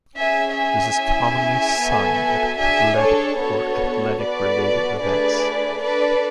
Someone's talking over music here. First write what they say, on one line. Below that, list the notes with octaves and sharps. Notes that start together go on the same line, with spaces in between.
This is commonly sung at athletic, or athletic related events.
C#4 G#4 E5 G#5
E5 G#5
C#4 E4 G#4
B3 F#4 A4
D4 G#4 E5 G#5
A4 C#5
B3 D4 F#4 A4 C#5
B3 F#4 A4 B4 D5
A3 D4 G#4 B4 D5
D4 A4 B4 D5